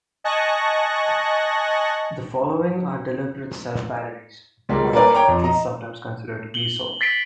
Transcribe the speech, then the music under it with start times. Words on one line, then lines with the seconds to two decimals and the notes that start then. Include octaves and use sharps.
The following are deliberate self-parodies or are at least sometimes considered to be so.
0.24 D#5 G#5 A5 C#6 F#6 A#6
4.69 C#2 G3 G#3 A#3
4.93 A#3 D4 A#4 B4 D5 G#5
5.14 C#5 G5 A#5 D6
5.28 F2
5.44 D#5 A#5
6.54 F#7 G7
7.01 A6 B6 C7 D7 F#7